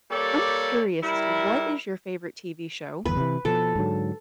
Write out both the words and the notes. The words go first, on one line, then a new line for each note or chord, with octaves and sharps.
I'm curious as to what is your favorite TV show?
G3 A#3 G4 A4 C#5 D5
G3 E4 A#4
G1 E2 B4
C3 E3
B2 F3 A4
G#2 D3 F#3